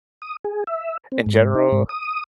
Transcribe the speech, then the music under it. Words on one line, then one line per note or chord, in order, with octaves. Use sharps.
in general."
D#6
G#4
E5
C4
G#2
D#4
G#2
D#6